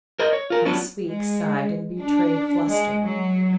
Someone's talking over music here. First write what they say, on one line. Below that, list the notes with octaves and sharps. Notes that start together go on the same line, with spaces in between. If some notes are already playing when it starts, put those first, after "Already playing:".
Miss Weeks sighed and betrayed fluster.
A#4 C5 D#5
C#5
F4 A#4
F#3 B3 C#4 D4 F4 F#4
G#3
D4
G#3
F#3